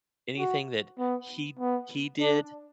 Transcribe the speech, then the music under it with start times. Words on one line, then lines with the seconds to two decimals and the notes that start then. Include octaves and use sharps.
Anything that he he did,
0.39 F#4
0.99 B3
1.59 B3
2.20 D4